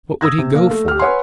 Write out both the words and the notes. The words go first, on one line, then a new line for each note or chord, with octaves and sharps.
"What would he go for?"
D#6 E6 G#6 A#6
C3
A#3
A3
G4 F6
B4 C#5 F#5 G#5 C6